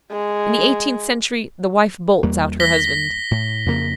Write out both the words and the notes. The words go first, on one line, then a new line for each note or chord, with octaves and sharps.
In the eighteenth century the wife bolts out her husband.
G#3
E2 G3 A#3
A#6 B6 G7
A2
F2 C#3 A#3